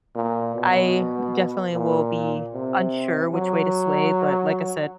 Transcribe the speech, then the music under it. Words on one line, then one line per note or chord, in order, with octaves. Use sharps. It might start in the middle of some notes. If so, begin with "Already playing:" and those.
I definitely will be unsure which way to sway, but like I said
A#2
B2
A#2
C3
F#3